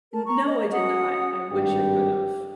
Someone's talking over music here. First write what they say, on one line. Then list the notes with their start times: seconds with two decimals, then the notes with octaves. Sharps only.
N no, I did not, I wish I could have.
0.13 A#4 A5
0.27 A#5 C#6
0.47 D#5
0.73 C#4 F#4 F#5 D#6
1.51 G#1 G2 G4